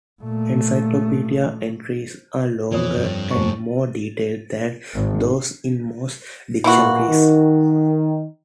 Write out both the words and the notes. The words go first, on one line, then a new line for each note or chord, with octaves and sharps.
Encyclopedia entries are longer and more detailed than those in most dictionaries.
A#2 A3
F2 E3 C#5 D#6
G2 D4
F1 C#6
G#1
A#2 E3 E4 F#4
D#3